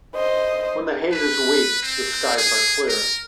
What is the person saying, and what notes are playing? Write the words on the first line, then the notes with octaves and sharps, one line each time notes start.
When the haze is weak, the skies are clear.
C5 D#5
B4
C4
G#4
A#4